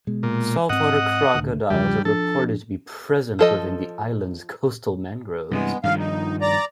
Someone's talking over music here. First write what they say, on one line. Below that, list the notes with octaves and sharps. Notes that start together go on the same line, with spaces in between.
Saltwater crocodiles are reported to be present within the island's coastal mangroves.
B2 G#3
A#2
G#2 C4 D#5 F#5
C#2 A2 D3
E2 C#3 F3 G3
F3 D4 A4
F3 A4 D#5
G2 C3 E3 G#3 B3
G2 D#3 F3 F5
D#4
D5 A#5